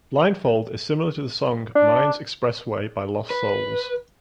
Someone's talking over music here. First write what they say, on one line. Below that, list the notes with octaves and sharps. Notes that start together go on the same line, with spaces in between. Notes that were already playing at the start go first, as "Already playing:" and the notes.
"Blindfold" is similar to the song "Mind's Expressway" by Lost Souls.
D4
B4